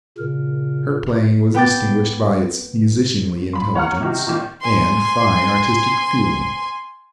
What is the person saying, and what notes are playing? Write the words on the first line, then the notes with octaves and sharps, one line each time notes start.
Her playing was distinguished by its musicianly intelligence and fine artistic feeling.
A#2 C#3 A#4
B3 G5 D6 A6
B5 C6
C#5 F#5 A#5 F6
C3 D#3 F#4
A#2 D#3
G#5 C6